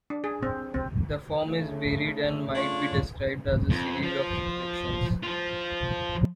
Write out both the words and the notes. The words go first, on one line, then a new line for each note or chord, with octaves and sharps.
The form is varied and might be described as a series of reflections.
D4
G#4
C4
C4
C#3 A3
D4 F4 C#5
F2
F3
F3 F4